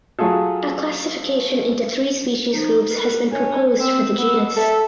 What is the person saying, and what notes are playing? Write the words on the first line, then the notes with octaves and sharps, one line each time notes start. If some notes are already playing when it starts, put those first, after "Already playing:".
A classification into three species groups has been proposed for the genus.
F#3 A3 F4 G#4 A4
F3 D#4
A#4 B4
D4 C#5 G#5
C4 E6
B3
A4 E5